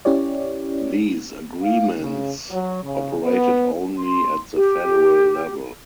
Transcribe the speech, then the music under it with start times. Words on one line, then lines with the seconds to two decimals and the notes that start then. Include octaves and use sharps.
These agreements operated only at the federal level.
0.05 C#4 E4 G4 C#5 D5
1.61 F5
1.99 C#3
2.51 F#3
2.83 C#3
3.23 B3
3.98 C6
4.54 G4